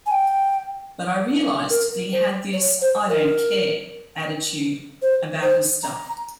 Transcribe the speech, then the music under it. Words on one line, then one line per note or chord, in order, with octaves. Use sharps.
But I realized he had this I-don't-care attitude about his stuff.
G#5
G5
A#4
C5
C#5
C5
A#4
C5
C5
A#5